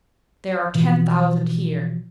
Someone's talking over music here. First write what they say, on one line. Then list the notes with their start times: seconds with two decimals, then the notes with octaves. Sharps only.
There are ten thousand here.
0.75 B2 E3 F3